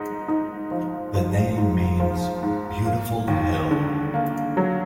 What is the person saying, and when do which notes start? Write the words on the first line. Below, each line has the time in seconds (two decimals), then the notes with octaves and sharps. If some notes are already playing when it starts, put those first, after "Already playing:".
The name means "beautiful hill".
Already playing: G#2 D#4
0.28 D#4
0.71 F3
1.14 F3
1.57 G#2
2.00 F3
2.43 G#2
2.85 A#3
3.28 D#2
3.71 D3
4.14 A#3
4.57 F#3